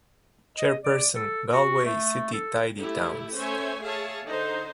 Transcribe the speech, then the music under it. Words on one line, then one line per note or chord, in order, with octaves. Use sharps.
Chairperson Galway City Tidy Towns.
D#5
D5
A4
F#4
A3
A4
A3 E4 G4 A4
A3 C#4 C5 C#5 E5 G#5
G#4 C#5 E5 F5 A5
D3 D#4 C5